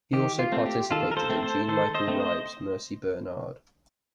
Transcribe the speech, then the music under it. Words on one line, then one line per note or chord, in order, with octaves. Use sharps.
He also participated in Jean-Michel Ribes' "Merci Bernard".
D#3 G4
F4
A3 C4
G4
D#3 F4 A4
A#4
A4 C5
A3 C4
A4 C5
D#3 A4 C5
C5 D#5
A3 C4
C5 D#5